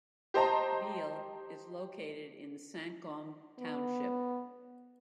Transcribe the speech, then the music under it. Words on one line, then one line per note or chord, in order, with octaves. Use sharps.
Biehle is located in Cinque Hommes township.
G4 C5 D#5 A5 A#5
B3